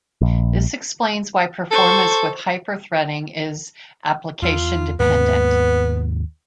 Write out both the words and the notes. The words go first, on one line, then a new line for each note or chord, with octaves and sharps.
This explains why performance with hyper-threading is application-dependent.
A#1
A4 C5 C#6
E2 F4
D#2 G#2 A#3 B3